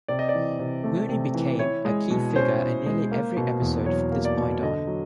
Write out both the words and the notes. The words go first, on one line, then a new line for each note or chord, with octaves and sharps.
Mooney became a key figure in nearly every episode from this point on.
C3 D5
D#5
D5
E3
C3
A3
C3
E3
E4 C#5
G#3
B2
C#4 C5
E4
G#3
A#3
B2
E2
F#3 C#5
A#3
D5
B2
D3 D#5
F#3